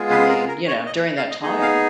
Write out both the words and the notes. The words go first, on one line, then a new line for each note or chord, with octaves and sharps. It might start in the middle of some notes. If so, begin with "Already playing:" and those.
I mean, you know, during that time.
Already playing: G#3 B3 F4 G#4
B4
A#4
A#4
C#5
D#5
F5
D#5
B3 D#4 G#4 D#5
F5